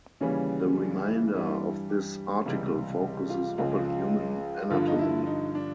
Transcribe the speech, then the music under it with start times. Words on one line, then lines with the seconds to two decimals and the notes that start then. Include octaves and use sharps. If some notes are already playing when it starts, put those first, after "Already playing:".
The remainder of this article focuses upon human anatomy.
0.20 D#2 C#3 E3 G3 C#4
0.77 D4
1.05 E4
1.33 G2 E3 G3 E4
1.89 G4
2.45 C#2 C3 E3 G3
3.29 F4
3.58 C#2 C#3 F3
4.70 G2 D3 F3 F4
4.88 D#4
4.99 E4
5.27 D#4
5.55 D4